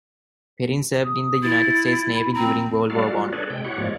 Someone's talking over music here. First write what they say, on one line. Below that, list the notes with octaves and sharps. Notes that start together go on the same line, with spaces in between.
Perrin served in the United States Navy during World War One.
D#6
E4 A6
B5
C4 A#5
G3 A#3 F#4 A4 D5 F5
G3 F4 F#4
D4 G#4 A4 B4 C#5 D5
C3 G#3 G5
E4 F#4 G4 C#5 F#5
G#2 F3 G#3 A#3 C#5 D5